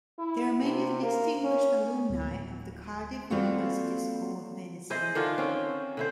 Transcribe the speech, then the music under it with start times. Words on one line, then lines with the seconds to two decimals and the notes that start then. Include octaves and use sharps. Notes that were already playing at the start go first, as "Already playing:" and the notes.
There are many distinguished alumni of the Cardiff University School of Medicine.
0.19 E4
0.62 C3
1.02 A#3
1.44 C#4
2.10 D1
3.30 G3 A#3 C4 F4 F#4 A4
4.90 E4 G#4 C5 D#5
5.15 D3 D#3 D4 F4
5.38 C4 C#4
5.97 D3 E4 C5